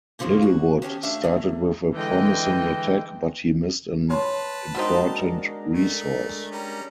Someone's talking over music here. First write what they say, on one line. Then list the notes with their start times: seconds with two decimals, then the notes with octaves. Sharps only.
Littlewood started with a promising attack, but he missed an important resource.
0.19 B2 D3 F3 A3 A#3
0.42 F#4
0.82 D#3 C#4 G4 A4
1.03 A3 D4 E5 F5
1.23 A3 A#3
1.94 D3 E3 G#3 D#5 G5
4.10 B4 C#5 A5 C6
4.75 G#3 B3 C4 D4 D#4 F#4 A#4
5.74 A3
6.52 G3 C#4 A#5